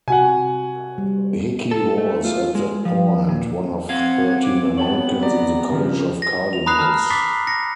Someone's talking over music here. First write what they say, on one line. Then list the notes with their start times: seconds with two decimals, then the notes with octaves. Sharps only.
Hickey was, at that point, one of thirteen Americans in the College of Cardinals.
0.08 C3 F#4 F#5 G#5
0.98 G3
1.71 A4
1.98 A3
2.25 F4
2.55 G#3
2.85 F3
3.29 A#2
3.89 C4 F5 F#5 G#6
4.43 D6
4.77 B3 C#5 G5 A5 F#7
5.21 G4 D5 A#5
5.72 C#3 F3
6.22 A#6
6.53 F7
6.66 A#5 B5 D#6 F#6 C7
6.79 A5 D#6 F6 F#6
7.10 D6 A6 B6 C7
7.47 A#6 C#7